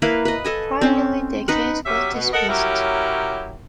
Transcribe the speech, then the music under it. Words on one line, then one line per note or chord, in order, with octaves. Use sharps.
Finally the case was dismissed.
A#3 E4 B4 F5
B4 D#5
A4 D#5 G#5
C4 C#4
D#4 B4 F#5
F#3 C#4 G4 E5
B2
A4 A#4 D#5 F#5
F#3 C#4 E4 G4 A#4